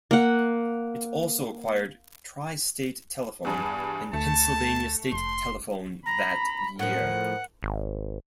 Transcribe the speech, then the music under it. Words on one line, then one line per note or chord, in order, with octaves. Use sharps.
It also acquired Tri-State Telephone and Pennsylvania State Telephone that year.
A#3 F#5
E2 G2
D2 A3 A5
F1 C6
A#5 B5
A2 F3 A#4 F#5
G#1